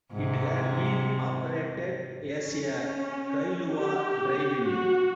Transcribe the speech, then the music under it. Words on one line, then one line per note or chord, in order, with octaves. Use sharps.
It had been operated as a Kailua drive-in.
G#2 C3
C#4
G4
F#4